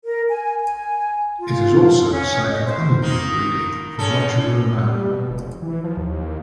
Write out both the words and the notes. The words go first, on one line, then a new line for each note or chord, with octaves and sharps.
It is also the site of honey bee breeding for much of Oman.
A#4
G#5
G#5
F4
C#4
D#5
C5
D#3 A#3 D#4
C#3 C#4 A4
G3
B2
F1
E3
F3
D#2